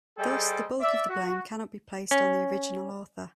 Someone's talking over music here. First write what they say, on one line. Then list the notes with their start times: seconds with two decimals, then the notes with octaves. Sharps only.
Thus, the bulk of the blame cannot be placed on the original author.
0.18 G3 G#4 A4 C5 D#5 G5
0.80 D5 E5
1.09 F#4
2.11 C#4